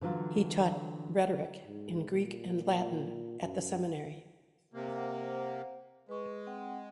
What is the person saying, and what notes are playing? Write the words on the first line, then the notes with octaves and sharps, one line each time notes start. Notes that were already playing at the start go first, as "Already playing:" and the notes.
He taught rhetoric in Greek and Latin at the seminary.
D3 E3 F#3 F4 A4
G#2
A#2
F#2
C3 A#3
C5 F#5
G#3 B4 C#6
C4 F#5 G5